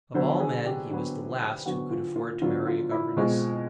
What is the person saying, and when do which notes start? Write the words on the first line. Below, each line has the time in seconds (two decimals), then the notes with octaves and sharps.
Of all men he was the last who could afford to marry a governess.
0.14 D3 F#3 B3 C5
0.40 G#4
0.65 G4
0.90 D3 F#3 B3
1.66 D3 F#3 B3 F#4
1.91 F4
2.16 F4
2.42 D3 F#3 B3 F4
2.67 F4
2.91 E4
3.17 B2 G#3 C4 F4